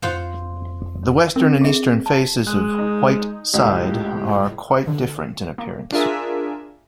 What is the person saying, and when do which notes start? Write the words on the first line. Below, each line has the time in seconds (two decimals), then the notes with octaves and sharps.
The western and eastern faces of White Side are quite different in appearance.
0.02 F2 F4 C5 F#5
1.36 C4 A#4
1.61 G#4 E5
2.06 A5
2.47 G#3 F#6
2.79 D#4
3.54 C#2 A2 G4
4.87 D3
5.58 A#3
5.92 D4 F4 G#4 A#4 E5 G#5